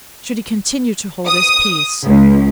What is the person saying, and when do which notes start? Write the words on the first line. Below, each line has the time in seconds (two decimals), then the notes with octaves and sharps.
Should he continue to hold his peace?
1.27 D#6
2.06 C#2